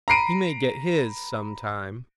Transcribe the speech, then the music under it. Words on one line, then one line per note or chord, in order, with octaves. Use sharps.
"He may get his some time."
A#5 B5 C7 D7 D#7